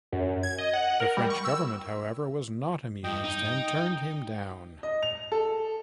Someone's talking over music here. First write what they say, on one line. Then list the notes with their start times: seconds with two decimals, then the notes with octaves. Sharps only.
The French Government, however, was not amused and turned him down.
0.12 F#2
0.43 G#6
0.58 D#5
0.73 F#5
1.00 A#4
1.17 G3
1.30 C#6
1.45 E6
3.04 G2 D#5 G5
3.24 D#4
4.83 D#5
5.03 F7
5.32 A4